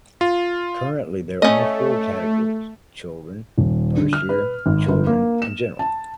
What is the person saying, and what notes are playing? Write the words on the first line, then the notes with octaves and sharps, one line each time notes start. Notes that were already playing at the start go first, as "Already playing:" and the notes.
Currently there are four categories: children, "first year", "children" and general.
F4
A3 C#4 D#5
D#1
D3
F6
B4
G#1
G1
A#3
E7
A5